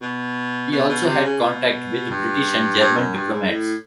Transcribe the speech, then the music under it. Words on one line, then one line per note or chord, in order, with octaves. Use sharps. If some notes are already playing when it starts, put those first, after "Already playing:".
He also had contact with British and German diplomats.
B2
B2
B2
C3
C#3
B2
G2
G2
F#2
G2
G#2
A2